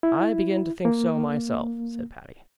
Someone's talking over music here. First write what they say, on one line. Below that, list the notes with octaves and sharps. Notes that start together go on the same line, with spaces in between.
"I begin to think so myself," said Patty.
E4
A#3